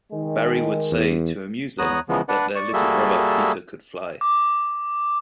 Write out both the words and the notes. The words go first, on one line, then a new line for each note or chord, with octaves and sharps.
Barrie would say, to amuse them, that their little brother Peter could fly.
D#3 G#3
E2
E2 B3 C#5 A#5 D#6 F#6
C#3 E3 F3 G#3 B3
D4 B4 D5 F#5
D5 C#6
G3 A#3 F#4 G#4 A4 E5
D6